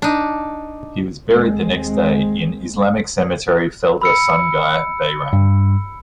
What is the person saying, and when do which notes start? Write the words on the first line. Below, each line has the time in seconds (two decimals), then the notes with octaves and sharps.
He was buried the next day in Islamic Cemetery Felda Sungai Behrang.
0.02 D4 D#4
1.26 D#2 G#3 C4
4.01 B5 E6 C#7
5.33 G2